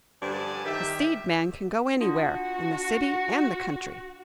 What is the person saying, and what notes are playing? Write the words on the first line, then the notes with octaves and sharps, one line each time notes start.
A seed man can go anywhere, in the city and the country.
G2 D3 F3 D5 G#5 A5
D#3 G4 E5
D4 F4 F#4